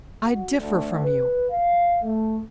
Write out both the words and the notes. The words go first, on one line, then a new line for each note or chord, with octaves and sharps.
'I differ from you.
F#4
D2
B4
F5
A3